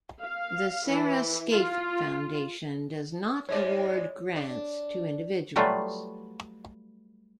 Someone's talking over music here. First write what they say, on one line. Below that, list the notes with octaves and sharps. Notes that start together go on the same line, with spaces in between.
The Sarah Scaife Foundation does not award grants to individuals.
F5
E3
F4
G#2 G#3 C#5 D5
D4
F#3 G3 A3 B3 F4